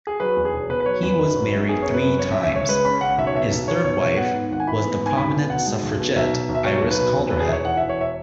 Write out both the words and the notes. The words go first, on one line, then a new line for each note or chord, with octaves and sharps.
He was married three times; his third wife was the prominent suffragette Iris Calderhead.
G#4
F#3 B4
E2
G#4
E1
B2 B4
B4
F#3 C#5
E2 B4
F#2
F#3
F#2
B3 G#4
F#2 C#5
B4
F#3
C#4 C#5
E5
C#3
E5
C#2 C#5
G#3 B4
C#4 B5
C#3 F#5
B1 E5
C#5
B2 E5
B1
B3 C#5
B1 C#5
B2 C#5
B3 F#5
G#2
G#1 F#5
G#5
E3 B5
B3
G#2
G#5
B1 B5
B2
B1 F#5
G#3
B1
B2
B1 E5
B2
B1
E5
F#3 C#5
B1
B4
B2
E1
B4
E2
G#4
E1 C#5 E5
E3 F#5
E1 E5
C#5
E5